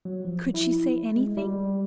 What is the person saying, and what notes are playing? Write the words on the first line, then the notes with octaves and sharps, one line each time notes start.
Could she say anything?
F#3
F3
E4
G#3
G3